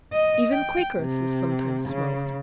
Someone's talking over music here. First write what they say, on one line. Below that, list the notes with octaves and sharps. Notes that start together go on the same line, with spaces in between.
Even Quakeresses sometimes smoked.
D#5
G5
C3
C#3